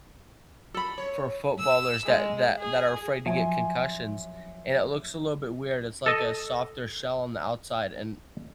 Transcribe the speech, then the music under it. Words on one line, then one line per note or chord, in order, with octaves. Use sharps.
for footballers that that that are afraid to get concussions, and it looks a little bit weird, it's like a softer shell on the outside, and
A4 B5
C#5
E6
G#3
G#4
F#2 F3 E5 G#5 C6
A4 D#5